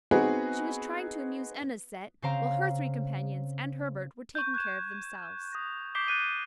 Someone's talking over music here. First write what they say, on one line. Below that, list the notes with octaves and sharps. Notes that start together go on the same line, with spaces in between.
She was trying to amuse Enna's set, while her three companions and Herbert were taking care of themselves.
B3 C4 D#4 F#4 G#4 B4
C#3 C4 C5 F5 A#5 D7
C#6 G6
F#6 G#6 E7
D#6 A#6
D6 G6 B6 C7 D7 G7
F#6 A6 B6 D#7